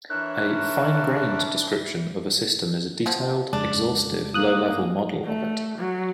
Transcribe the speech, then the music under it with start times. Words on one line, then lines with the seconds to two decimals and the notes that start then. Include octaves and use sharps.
A "fine-grained" description of a system is a detailed, exhaustive, low-level model of it.
0.10 E3 D4 A#4 C#5 E5 F#6
3.06 B2 F3
3.53 F2 C#3 G#3 D4
4.34 A#3 D#6 F#6
5.24 A3
5.78 F#3